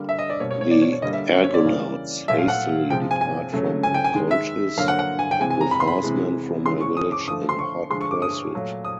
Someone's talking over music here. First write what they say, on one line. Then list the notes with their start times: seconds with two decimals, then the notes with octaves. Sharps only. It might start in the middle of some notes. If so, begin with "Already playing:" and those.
The Argonauts hastily depart from Colchis, with horsemen from her village in hot pursuit.
Already playing: D3 G3 A#3
0.09 E5
0.19 D#5
0.30 D5
0.40 B2 G3 A#3 C#5
0.51 C#5
0.61 C#5
0.71 D5
0.82 C#5
0.92 C#5
1.02 D3 G3 A#3 D#5
1.13 E5
1.34 C#5
1.44 C#5
1.54 D5
1.64 C#3 E3 G3 A#3
2.28 A#2 F#3 A3 E5
2.39 F5
2.48 F#5
2.90 C3 F3 G#3 G5
3.11 G#5
3.21 G#5
3.53 C#3 F#3 A3
3.83 G#5
3.94 G5
4.04 G#5
4.15 D#3 G#3
4.31 E5
4.78 D3 F#3 A#3 F5
4.88 F#5
4.99 F#5
5.19 G#5
5.31 G5
5.40 C3 E3 G#3 G#5
5.50 G#5
5.61 A#5
5.71 B5
5.80 C6
5.88 B5
6.03 C3 E3 G#3
6.65 C#3 E3 G#3 C6
6.81 C#6
6.97 D#6
7.12 D6
7.28 D3 F3 A3 D#6
7.49 C6
7.59 C#6
7.90 D3 F3 G#3 C6
8.01 C#6
8.11 D6
8.22 D#6
8.54 A#2 F#3 A3
8.85 D#6